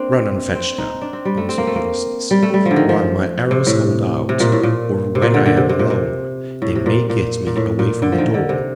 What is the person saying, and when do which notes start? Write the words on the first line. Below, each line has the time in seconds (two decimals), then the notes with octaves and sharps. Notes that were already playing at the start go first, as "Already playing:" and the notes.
"Run and fetch them," answered Ulysses, "while my arrows hold out, or when I am alone they may get me away from the door."
Already playing: A#3 C4 D4
0.55 C4
0.78 D#4
1.02 D4
1.13 C4
1.25 G3
1.37 A3
1.49 C4
1.58 A#3
1.67 A3
1.76 A#3
2.31 G3
2.42 A3
2.54 G3
2.66 F3
2.71 D3
2.76 D#3
2.89 F3
3.51 C3
3.67 A2
4.29 C3
4.40 A#2
4.52 A2
4.63 A#2
5.15 C3
5.22 A#2
5.34 D3
5.46 D3
5.57 C3
5.69 C3
5.79 A#2
5.90 C3
6.62 A2
6.75 C3
6.86 A#2
7.10 A#2
7.47 A#2
7.56 A2
7.79 A#2
8.02 D3
8.12 F3
8.18 D#3
8.34 D3
8.49 C3